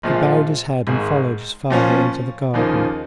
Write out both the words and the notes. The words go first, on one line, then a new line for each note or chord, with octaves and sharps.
He bowed his head, and followed his father into the garden.
A#1 A#2 F3 G#3 F4
G#1 G#2 G#3
A#2 F3 C#4
D#2 C#3 F3 A#3 D#4